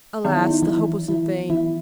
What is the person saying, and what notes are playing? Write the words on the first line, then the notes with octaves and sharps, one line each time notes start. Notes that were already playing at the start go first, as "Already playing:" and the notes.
Alas! the hope was vain.
D#3 F#3 B3
E4
D#4
E3 E4
E3 E4
E3 E4